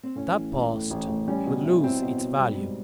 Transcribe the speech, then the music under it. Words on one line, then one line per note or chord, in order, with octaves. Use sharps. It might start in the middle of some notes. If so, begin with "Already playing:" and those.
"That post would lose its value."
C4
A2 C#4
E3
A1
A2
A1
A1
G3 C#4
B2
E4
C4 E4
B2
B2
G3
G#2